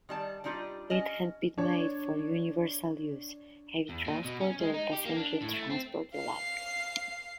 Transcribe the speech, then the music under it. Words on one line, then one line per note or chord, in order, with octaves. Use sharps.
It had been made for universal use: heavy transport or passenger transport alike.
D#3 G3 A5
G3 D4 D#4 F4 G4
C#4 D#5
D4 C#5
E2
A#2
B2
C#4
G#3
D#4
G4
A#3
D4
A2
A3
C4
F5 C7